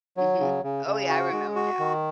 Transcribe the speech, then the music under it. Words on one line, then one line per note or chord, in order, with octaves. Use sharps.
Mhm. Oh, yeah, I remember, yeah.
F#3
C#3
C#3
C#3
F#4
G#3
F#4
D#3